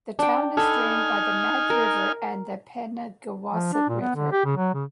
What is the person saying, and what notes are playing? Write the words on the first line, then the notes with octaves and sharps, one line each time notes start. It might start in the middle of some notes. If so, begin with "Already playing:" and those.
The town is drained by the Mad River and Pemigewasset River.
D4 G5
D#4 A4 G#5 B5 F6
A#4
F3
D4
A#2
B3
D3
G4
C#3
F#3
C#3